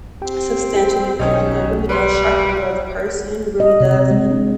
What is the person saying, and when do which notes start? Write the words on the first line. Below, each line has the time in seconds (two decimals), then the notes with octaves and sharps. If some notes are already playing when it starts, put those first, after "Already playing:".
substantially because, you know, it really does sharpen you as a person, it really does
0.22 C4 G4 G5
1.19 B1 D#3 C#4 D#4
1.89 G3 B4 C6
3.60 D#5
3.80 C3
4.11 G#3
4.31 D4